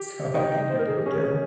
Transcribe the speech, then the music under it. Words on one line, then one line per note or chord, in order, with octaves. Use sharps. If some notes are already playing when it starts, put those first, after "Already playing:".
so I think you're doing good,
Already playing: G4
D#4 G5
C5
A#4
G#4
G4
C#4 G#4
A#4
G#4